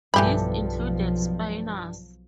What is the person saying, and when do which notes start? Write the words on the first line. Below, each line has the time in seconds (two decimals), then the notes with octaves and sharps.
This included spinors.
0.14 B1 G2 E3 F3 G4 A4 B5